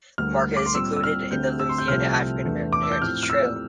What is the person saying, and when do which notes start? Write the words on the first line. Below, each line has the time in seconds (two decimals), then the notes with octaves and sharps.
The market is included on the Louisiana African American Heritage Trail.
0.18 D2 D3 G3 A#3 F6
0.57 D6
0.66 C6
0.74 A#2 G3 C4 E6
0.96 E6
1.04 F6
1.31 D2 D3 A3 C4 G6
1.59 E6
1.69 C6
1.78 G6
1.88 C2 C3 F3 A3 C4 F6
2.44 E2 E3 A3 D4
2.73 D6
2.83 E6
2.92 G6
3.01 A2 F3 C4 F6
3.23 F6
3.30 E6